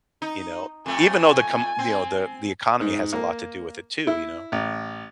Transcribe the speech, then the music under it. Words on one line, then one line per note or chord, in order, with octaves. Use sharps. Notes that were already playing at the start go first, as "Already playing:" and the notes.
you know, even though the com you know, the the economy has a lot to do with it too, you know.
D#4
F2 A3 G#5
C4
G#2
A#3
E4
A1